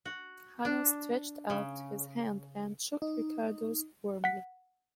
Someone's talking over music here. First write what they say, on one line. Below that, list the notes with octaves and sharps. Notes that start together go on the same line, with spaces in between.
Hanaud stretched out his hand and shook Ricardo's warmly.
F#4
D4
C#3
D#4
F#5 B6